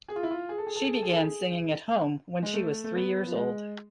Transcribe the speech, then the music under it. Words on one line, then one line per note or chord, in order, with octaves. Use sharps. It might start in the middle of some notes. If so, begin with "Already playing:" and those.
She began singing at home when she was three years old.
G#4
F4
E4
F4
G#4
A4
G#4
A4
G#4
A4
G#4
A4
G#4
G#3
A3
A3
B3
F3
G#3